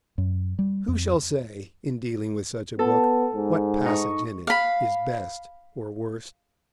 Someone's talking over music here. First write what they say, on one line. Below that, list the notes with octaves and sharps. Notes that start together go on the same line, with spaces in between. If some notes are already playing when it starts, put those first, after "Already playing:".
Who shall say, in dealing with such a book, what passage in it is best or worst?
F#2
G3
F2
B3 A4
G#2
D#4 C#6
F5 B5